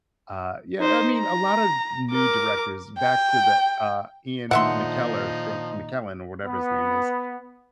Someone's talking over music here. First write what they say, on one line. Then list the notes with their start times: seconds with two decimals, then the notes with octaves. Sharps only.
uh, yeah I mean, a lotta new directors back to the, uh, Ian McKellar, thing, McKellen or whatever his name is,
0.79 D#4 C5
1.19 A#5
2.12 A#4 D6
2.99 G5
4.51 A#2 D3 D#3 F3 D#4 E5 F#5 C6
6.44 B3